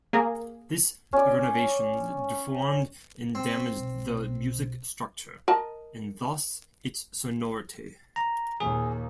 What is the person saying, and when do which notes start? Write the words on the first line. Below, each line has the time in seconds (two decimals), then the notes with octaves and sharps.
This renovation deformed and damaged the music structure and thus, its sonority.
0.13 A#3 G#4 A#4
1.13 C#4 D5
3.35 C4
3.75 E1 B1
5.48 A#4 D#5 A5
8.16 A#5
8.60 D#2 A#2 G#4